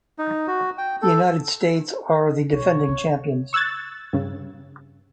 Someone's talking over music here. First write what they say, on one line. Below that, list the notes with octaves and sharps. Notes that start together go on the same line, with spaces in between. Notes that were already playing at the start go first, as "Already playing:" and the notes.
The United States are the defending champions.
D#4
F#4
G5
A4
B1 C#5
C#3
C#6 E6 F#6 G#6 A6
G2 C#3